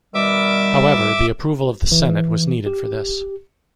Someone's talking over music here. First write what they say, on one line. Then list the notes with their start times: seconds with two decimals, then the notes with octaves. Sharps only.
However, the approval of the senate was needed for this.
0.14 B2 D#3 G3 E5 D6
1.92 E3
2.66 G4